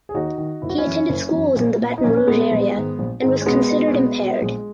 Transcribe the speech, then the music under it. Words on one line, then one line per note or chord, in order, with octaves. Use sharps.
He attended schools in the Baton Rouge area and was considered impaired.
G#4
D#2 D#4 F#4
D#3
F#1 E4
F#4
C#4 E4
F#2 E3
F#1
F#2 E3
A#1
A#2
D#4
A#1 A#3 C#4
C#4
A#2 G#3 B3
A#1
G#2 D#3
A#1
G#2 D#3 G#3
C#4
B1 G#3 B3
B2
C#4
B1 G#3 B3
B2
A#1 G#3